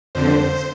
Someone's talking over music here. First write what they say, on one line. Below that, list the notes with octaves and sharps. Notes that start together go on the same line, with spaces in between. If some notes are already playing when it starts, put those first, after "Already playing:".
Yeah, 'cause
F2 D3 C5